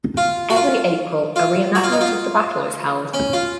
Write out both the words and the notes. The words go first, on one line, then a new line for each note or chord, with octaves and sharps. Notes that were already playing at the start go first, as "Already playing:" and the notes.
Every April, a reenactment of the battle is held.
F4
F#4
F4
F4
F#4
F4
D#4
F4
C#4
F4